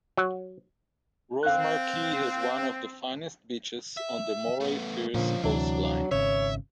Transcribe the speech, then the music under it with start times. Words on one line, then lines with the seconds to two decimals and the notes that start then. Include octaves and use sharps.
Rosemarkie has one of the finest beaches on the Moray Firth Coast Line.
0.17 F#3
1.43 C4 F5 F#6
3.97 E5
4.61 A3 B3
5.15 A#2 D3 F3 C#4 F4
5.44 D2 C3 E3 F#3 D4
6.11 G#1 C#3 C#5 E5